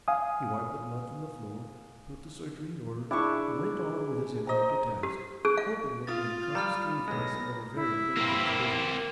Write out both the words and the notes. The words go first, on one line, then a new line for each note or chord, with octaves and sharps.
He wiped the blood from the floor, put the surgery in order, and went on with his interrupted task, hoping that he had come scathless out of a very dangerous business.
F5 G#5 D#6
D4 E4 G#4 A5 C#6
C5 D#5 A#5
G4
G#4
F5
F4 D#6 A6
G3 A#5 B5 F6
B1 G#3 A#6
E4
A#3 C4